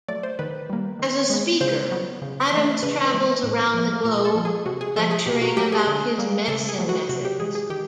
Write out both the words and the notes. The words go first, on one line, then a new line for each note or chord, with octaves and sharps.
As a speaker, Adams travels around the globe lecturing about his medicine methods.
F#3 A3 D5
C5
D#3 B4
G3 A#3
D#3
G#3 B3
C#3 C5
F#3 B3
C#3
E3 A3
C#3 B4
E3 G#3
A2
F3 A3
A#2 A#4
A4
F3 A#3
G#4
C3 F#4
G#4
F3 G#3 A4
G#4
B2 G4
F#4
F#3 A3 G4
G#4
D3
G3 A#3
C#3 A4
G#4
F#3 A3
F#4
C3 F#4
G4
E3 G#3 G#4
G#4
D#3 G4